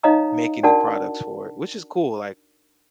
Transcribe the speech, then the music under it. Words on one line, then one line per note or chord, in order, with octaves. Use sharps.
making new products for it, which is cool, like
D#4 C#5 D#5 F5 A#5 D#6
D4 F#4 A#4 D5 F#5 A5